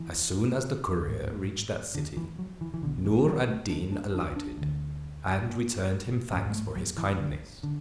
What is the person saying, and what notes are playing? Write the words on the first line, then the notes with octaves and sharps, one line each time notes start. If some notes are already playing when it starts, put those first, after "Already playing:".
As soon as the courier reached that city, Noor ad Deen alighted, and returned him thanks for his kindness.
Already playing: E3
A1 G#2
D3
E3
F#3
E3
E3
B1 B2 D3
E3
F#3
A3
D4
D4
D4
D4
D2 D3
A1 G#2 C#4
G#3
A3
F#3
E3
D3
D3